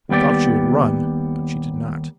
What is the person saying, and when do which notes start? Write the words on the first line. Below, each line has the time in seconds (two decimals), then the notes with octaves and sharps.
I thought she would run, but she did not.
0.09 D#2 G3 B3 G4 D5